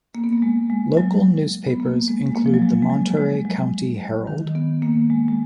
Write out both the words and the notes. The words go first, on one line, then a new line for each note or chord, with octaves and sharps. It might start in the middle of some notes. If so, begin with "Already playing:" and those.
Locale newspapers include the "Monterey County Herald".
A#3
B3
A#3
G#3
G#3
F#3
B3
A#3
G#3
G#3
A#3
F3
F#3
G#3
G#3
F#3
G#3
F#3
D#3
B3
A#3
G#3
G#3